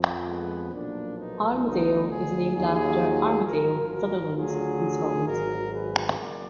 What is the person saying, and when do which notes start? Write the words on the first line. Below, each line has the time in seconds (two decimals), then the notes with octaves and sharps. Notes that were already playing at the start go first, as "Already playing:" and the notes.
Armadale is named after Armadale, Sutherland in Scotland.
Already playing: F2 F3
0.26 G#3 B3
0.72 B1 A#2 F3 A#3 D4
1.17 B3 D#4
1.63 D2 D3 F#3 B3 D#4
2.08 F4 G#4
2.54 D#2 D#3 F#3 F4 G#4
3.45 G#1 F#2 F3 F#4 A#4
3.90 F#4 A#4
4.36 D2 D3 F#3 F4 G#4
5.27 G#1 G#2 F#3 F#4 A#4
5.73 G#4 B4
6.18 F#1 F#2 A#4 D5